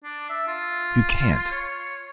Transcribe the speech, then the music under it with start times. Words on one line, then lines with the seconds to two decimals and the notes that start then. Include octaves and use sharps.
You can't.
0.04 D4
0.29 E5
0.47 F4
1.51 C#5